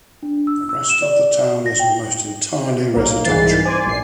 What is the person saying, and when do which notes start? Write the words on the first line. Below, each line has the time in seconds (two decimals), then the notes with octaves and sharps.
The rest of the town is almost entirely residential.
0.23 D4
0.47 E6
0.69 E6
0.90 E7
1.02 D5
1.66 A#6
1.80 G5
2.94 B1 A#3
3.24 C2 G#2 E3 A6 C7
3.65 C5 D5 G#5
3.86 A#1 C7